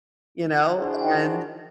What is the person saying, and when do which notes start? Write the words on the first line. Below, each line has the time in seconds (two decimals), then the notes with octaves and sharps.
you know? And,
0.79 D4 E4 F#4 G#4 C5